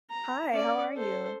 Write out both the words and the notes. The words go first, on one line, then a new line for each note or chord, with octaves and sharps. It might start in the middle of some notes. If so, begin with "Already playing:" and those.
Hi, how are you?
A#5
C#4 D5
A4 C5